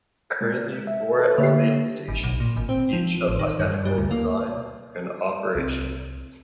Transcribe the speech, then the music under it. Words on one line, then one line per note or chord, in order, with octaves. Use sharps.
Currently four elevated stations, each of identical design, are in operation.
G#3
E5
A4
D3 A#3 G4 E5
G#1
B1
A#2
G#1
C4
F3
A1
D#3
G2
G3
D2
A#3
C2 C4